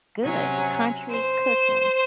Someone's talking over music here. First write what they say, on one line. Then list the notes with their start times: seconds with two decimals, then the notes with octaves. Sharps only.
good country cooking
0.21 C3 F#3 C#4
1.09 C5